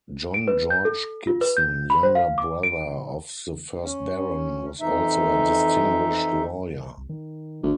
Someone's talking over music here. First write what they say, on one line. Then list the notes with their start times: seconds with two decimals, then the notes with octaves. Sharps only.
John George Gibson, younger brother of the first Baron, was also a distinguished lawyer.
0.34 D7
0.48 B4
0.70 G6
0.85 A4
1.27 F4
1.41 B4
1.57 G6
1.90 B5
2.03 C5
2.15 F5
2.38 D6
2.63 D7
3.83 C#4
4.80 F2 E3 D#4 E5
6.98 C2
7.09 D#3
7.63 G1 D2